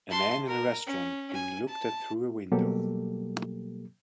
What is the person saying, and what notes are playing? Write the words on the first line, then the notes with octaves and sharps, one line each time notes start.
A man in a restaurant being looked at through a window.
A5 C6
A#4
C#4
G#5
A5
B2 F#3 G3 A#3 G4 A4